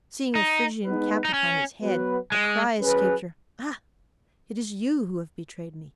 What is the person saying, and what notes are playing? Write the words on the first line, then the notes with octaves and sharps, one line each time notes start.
Seeing a phrygian cap upon his head, a cry escaped her:--"Ah! it is you who have betrayed me!"
D#4
G#3 B3 D#4 B4
D#4
C#4
F#3 B3 F#4 B4
G#3
F#3 C#4 G#4 B4